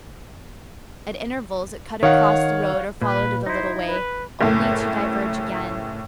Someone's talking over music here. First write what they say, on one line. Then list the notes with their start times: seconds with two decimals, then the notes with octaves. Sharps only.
At intervals it cut across the road or followed it a little way, only to diverge again.
2.03 D#3 C#5 F5 F#5
3.01 A#2 B4
3.46 D#4 E4 C5
3.88 B4
4.41 F#1 A2